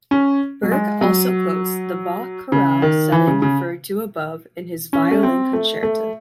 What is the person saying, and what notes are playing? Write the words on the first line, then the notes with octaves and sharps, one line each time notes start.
Berg also quotes the Bach chorale setting referred to above in his Violin Concerto.
C#4
F#3
G#3
F#3
C#3
D#3
E3
C#3
C#3
C#4
A3
C4
A3
A3